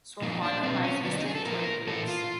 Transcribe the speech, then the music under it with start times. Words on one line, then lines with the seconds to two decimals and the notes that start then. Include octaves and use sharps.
Sor Juana lies east of Victoria Rupes.
0.22 A#2 F3 A#3 D#4
0.43 D4
0.63 B2 F#3 B3 C4
0.84 C#4
1.05 D3 F#3 B3 D4
1.15 D#4
1.25 G#4
1.35 A4
1.46 A#2 F3 A3 A#4
1.87 A2 E3 A3 A4
2.08 F4